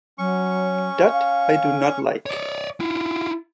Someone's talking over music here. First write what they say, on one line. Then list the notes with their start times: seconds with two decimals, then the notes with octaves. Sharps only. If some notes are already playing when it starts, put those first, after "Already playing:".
That I do not like.
0.18 F#3 C#4 C#6
1.12 F5
2.26 C#5 D5
2.80 E4 F4